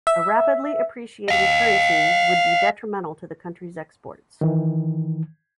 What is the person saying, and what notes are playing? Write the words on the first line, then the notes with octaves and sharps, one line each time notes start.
A rapidly appreciating currency would be detrimental to the country's exports.
E5
D#5 F5
D#3 E3